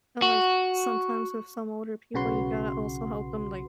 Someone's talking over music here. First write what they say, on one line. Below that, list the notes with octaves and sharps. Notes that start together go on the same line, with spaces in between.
And, like, sometimes with some older people, you gotta also help them, like,
F#4
B1 C#3 F#4 B4 C6